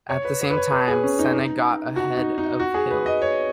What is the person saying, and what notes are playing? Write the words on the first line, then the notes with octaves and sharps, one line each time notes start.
At the same time, Senna got ahead of Hill.
C#5
B4
C#5
B4
C#5
B4
G#4
C#4
D#4
D#4
F#4
D#4
D#4
F#4
G#4
B4
D#5
C#5